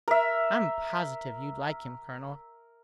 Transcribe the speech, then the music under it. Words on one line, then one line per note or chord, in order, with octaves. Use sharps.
"I'm positive you'd like him, colonel."
A#4 E5